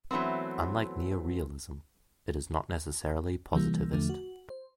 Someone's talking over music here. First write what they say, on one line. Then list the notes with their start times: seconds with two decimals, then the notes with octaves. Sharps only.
Unlike neo-realism, it is not necessarily positivist.
0.11 E3 F#3 A3 B3 C4
3.52 C3 E3 G3 A#3
3.93 E2 D3 F3 A3
4.09 F#4
4.50 C5